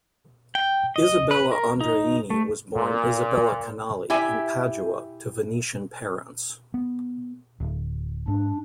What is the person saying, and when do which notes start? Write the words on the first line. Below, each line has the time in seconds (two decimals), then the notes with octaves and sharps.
Isabella Andreini was born Isabella Canali in Padua, to Venetian parents.
0.55 G5
0.96 D#5
1.31 B4
1.52 A#4
1.81 D#4
2.30 A3
2.75 A#2
4.10 E4 G4 E5 G#5
6.74 B3
7.60 D1
8.28 G#2 D4